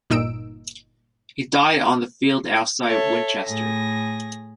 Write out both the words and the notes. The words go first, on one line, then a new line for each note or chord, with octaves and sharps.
He died on the field outside Winchester.
G1 A#2 D#4 E6 D7
A4 C#5 E5
A2 G#4 A#6